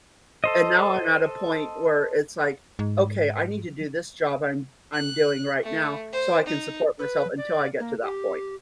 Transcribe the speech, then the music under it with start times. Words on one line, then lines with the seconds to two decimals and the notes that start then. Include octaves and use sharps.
and now I'm at a point where it's, like, okay, I need to do this job I'm I'm doing right now, so, I can support myself until I get to that point.
0.44 A4 C5 D#5
2.79 G#2
4.93 F#6
5.63 A3
6.12 C5
6.46 D#4
6.99 B4
7.37 D5
7.79 A#3
8.02 G4